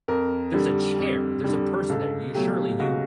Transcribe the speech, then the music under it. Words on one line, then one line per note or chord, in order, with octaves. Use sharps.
there's a chair, there's a person there, you surely you
F2 A#4
D3 G3
F2
D3 G3
C#2 A4
B2 F#3 A3 G4
C#2 F#4